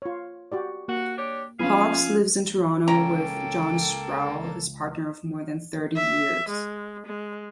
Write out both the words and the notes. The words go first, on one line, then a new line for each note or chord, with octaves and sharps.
Hawkes lives in Toronto with John Sproule, his partner of more than thirty years.
F4 C#5
F#4 G4 D5
A#3 F#4
D4 G4 C#5
F3 B3 C#4 F4 G#4 F5 B5
C#2 A#3 C#4 A4 G5 A#5
E5
G#3
G#3